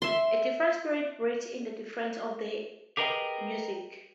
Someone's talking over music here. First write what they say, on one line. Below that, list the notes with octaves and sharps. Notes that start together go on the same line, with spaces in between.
A different spirit breathes in the difference of the music.
E5 C6
G4 G#4 A#4 B4 D#5 G5